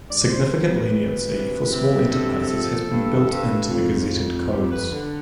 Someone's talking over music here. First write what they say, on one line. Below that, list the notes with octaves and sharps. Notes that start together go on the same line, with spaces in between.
Significant leniency for Small Enterprises has been built into the gazetted codes.
G2 D5
C5
D2 B4
D2
C3
C3
G2 A4
F3
G2
G2
F2 F4
F2
F2 G4
B4
D3